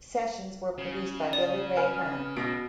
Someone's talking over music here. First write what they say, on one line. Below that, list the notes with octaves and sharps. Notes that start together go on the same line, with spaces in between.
Sessions were produced by Billy Ray Hearn.
C#3
D5
B4 G#5 F6
B2 A#6 D7